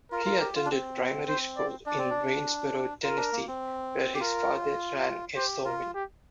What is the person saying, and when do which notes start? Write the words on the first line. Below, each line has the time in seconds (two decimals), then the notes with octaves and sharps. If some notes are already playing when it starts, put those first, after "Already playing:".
He attended primary school in Waynesboro, Tennessee where his father ran a sawmill.
0.12 F4 A#4
0.26 F4
0.41 G4
0.56 F4
0.65 D4
0.71 C4
1.28 C5
1.58 D5
1.86 D4 D5
1.98 C4
2.10 D4
3.03 F4 A#4
3.17 D4
3.33 A#3
3.48 C4
4.14 G4
4.20 F4 A#4
5.36 G4 C5
5.65 F4 A#4
5.95 G4